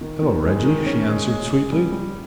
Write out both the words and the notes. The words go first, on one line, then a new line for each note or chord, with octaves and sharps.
"Hello, Reggie!" she answered sweetly.
D#3
D#3
G#3
D#3
C#4
G#3
G#3
G#3
G3
G3